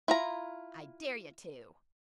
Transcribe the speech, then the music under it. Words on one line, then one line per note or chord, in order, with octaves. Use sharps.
"I dare you to!"
E4 F4 A#5